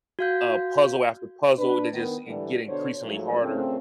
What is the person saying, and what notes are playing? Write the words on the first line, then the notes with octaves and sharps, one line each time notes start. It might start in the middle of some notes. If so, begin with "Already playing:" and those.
a puzzle after puzzle, they just i get increasingly harder-
F#4 F5 G6
D4 B4
D#3 B3
D3 E3 G3
B2 D3 C5 C#5
G#2 F3 F#3 A3 C#5
A#2 C#3 A3 C4